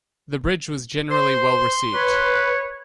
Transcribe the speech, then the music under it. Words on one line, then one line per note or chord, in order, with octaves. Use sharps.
The bridge was generally well received.
C5 C6
B4 C#5